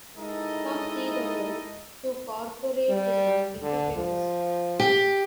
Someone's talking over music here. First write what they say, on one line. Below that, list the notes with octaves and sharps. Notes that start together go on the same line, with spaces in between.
Some see the move to corporatism in two phases.
G#3 D#4 E4 A4 A#4 D#5
G3
D3
F3
G4